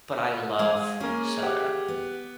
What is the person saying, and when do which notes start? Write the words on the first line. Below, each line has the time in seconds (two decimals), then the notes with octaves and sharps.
but I love soda,
0.59 G#3 G#4 F5
1.00 A#3 C#4 G#4
1.43 G4 F#5
1.88 B3